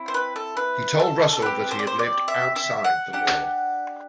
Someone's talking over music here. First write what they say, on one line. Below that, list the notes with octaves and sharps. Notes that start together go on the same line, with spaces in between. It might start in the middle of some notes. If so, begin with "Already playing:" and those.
He told Russell that he had lived outside the law.
Already playing: C4 E4
C5
B4
A4
B4
A4
A4
C4 G4 B4
C5
D5
C5
D5
E5
E5
F#5
D4 G4 F#5